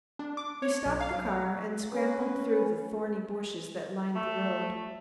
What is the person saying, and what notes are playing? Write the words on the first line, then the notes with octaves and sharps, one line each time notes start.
We stopped the car and scrambled through the thorny bushes that lined the road.
D4
D6
C#5
B1
F5
F#3
C#4 B4
A3